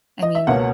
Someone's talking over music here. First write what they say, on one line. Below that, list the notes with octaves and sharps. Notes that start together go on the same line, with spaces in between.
I mean,
D#5
E5
C#2 B2 A#3 C#4 F#5